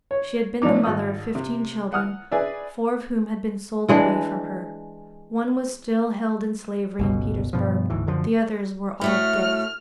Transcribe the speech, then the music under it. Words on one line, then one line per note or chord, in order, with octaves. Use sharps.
She had been the mother of fifteen children, four of whom had been sold away from her; one was still held in slavery in Petersburg; the others were all dead.
C#5
A1 F3 D4 D#4 D6
G#1 D#6
C3
F#5 D#6 F6
G#4 B4 D5 E5
E3 G#3 D4
G1 C#2 B2
G2 B2 F3
D1 D2 G#2 E3
F#2 D3 F3
A2 A3 F#4 F6